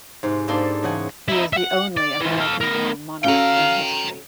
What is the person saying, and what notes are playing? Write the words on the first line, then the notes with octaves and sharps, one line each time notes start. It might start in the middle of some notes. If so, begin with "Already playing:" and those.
He is the only American-born monarch in history.
G#2 C3
G#2 G3 A#3 D4 A4 C6
E2 C#3 F#5 G#5
D#4 E4
E5 F#5
D5
E3 F4
A4 F5
B3 A#4
C#4 F#4 A4 F5 G5 A#5